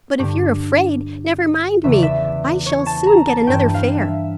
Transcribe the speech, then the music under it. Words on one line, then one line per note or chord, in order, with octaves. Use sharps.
"But if you're afraid, never mind me; I shall soon get another fare."
G2 D3 G4
E2 C#3 E3 E5
D5
E5
C#5
A5
A#5
A5
G2 E3 G5
F5
E5